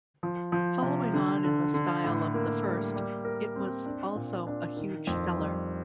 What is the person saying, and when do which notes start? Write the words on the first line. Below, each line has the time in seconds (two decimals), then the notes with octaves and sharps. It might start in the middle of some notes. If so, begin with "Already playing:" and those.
Following on in the style of the first, it was also a huge seller.
0.23 F3
0.52 F3
0.82 C3
1.13 D3
1.44 D3
1.74 D3
2.04 A2
2.34 A#3
2.64 G3
2.95 G3
3.25 A#4
3.56 C4
3.86 D4
4.16 A#2
4.47 D4
4.77 D#3
5.07 F2
5.37 G3